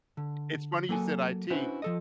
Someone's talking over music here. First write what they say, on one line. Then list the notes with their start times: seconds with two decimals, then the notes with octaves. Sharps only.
It's funny you said IT.
0.17 D3
0.89 F#3 A#3 A4 G#5
1.50 C#4 D4 E4 F#4 B4 C5
1.82 F3 A4 D#5